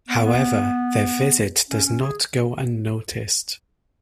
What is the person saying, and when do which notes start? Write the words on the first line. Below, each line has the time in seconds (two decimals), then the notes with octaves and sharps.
However, their visit does not go unnoticed.
0.09 B3
0.25 B3
1.70 C#4
1.85 C#4
2.02 G#4